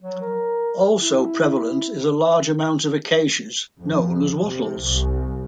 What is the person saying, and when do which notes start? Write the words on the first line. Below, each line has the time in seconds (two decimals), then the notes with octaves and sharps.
Also prevalent is a large amount of acacias, known as wattles.
0.01 F#3
0.21 A#4
1.01 E4
3.82 F2
4.43 C3
4.83 C2